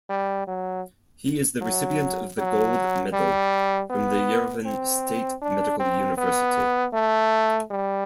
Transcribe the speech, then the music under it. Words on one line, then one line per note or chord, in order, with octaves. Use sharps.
He is the recipient of the Gold Medal from the Yerevan State Medical University.
G3
F#3
F#3
F#3
G3
B3
C4
D4
C4
B3
A3
G3